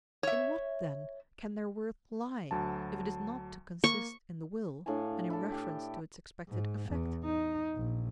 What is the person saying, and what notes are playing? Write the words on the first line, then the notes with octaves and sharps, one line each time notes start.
In what, then, can their worth lie, if it is not to consist in the will and in reference to its expected effect?
C#5 E5
D2 F#3 A5
A#3 C#6
A2 D4 F5 G#5
E4 A4
G4
G#2
E2
D#4
A#1